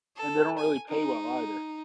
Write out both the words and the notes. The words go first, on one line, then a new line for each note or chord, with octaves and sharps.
And they don't really pay well either.
A4
G#5
D#4